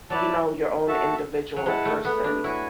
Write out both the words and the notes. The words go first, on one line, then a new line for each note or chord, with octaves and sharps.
you know, your own individual person
F#3 E4 B4 D5 A5
F#4 A4 E5 A5
F#3
G#3 E4 B4 F#5 A5
A3
B3
D4
E4 F#4 C#5 G#5